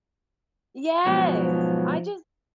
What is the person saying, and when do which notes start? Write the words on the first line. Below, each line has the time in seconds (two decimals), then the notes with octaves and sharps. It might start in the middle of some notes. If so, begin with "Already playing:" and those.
Yes! I just
1.06 G#2 B2 F3 F#3